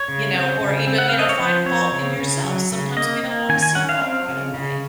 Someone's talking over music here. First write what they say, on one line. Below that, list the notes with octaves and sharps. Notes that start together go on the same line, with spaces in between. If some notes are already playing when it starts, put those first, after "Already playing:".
you know, or even, you know, find fault in yourself. Sometimes we don't wanna see fault right away,
Already playing: C#5
C#3
C4
C#3
C4
F#5
C4 F5
D#5
C#5
F3 C5
C4 C#5
C#3
C#3
F#3
C#3
A#3 D#5
A#3
D#3 G#5
G#5
C#4 F#5
F5
C4 F5
C#3
C#3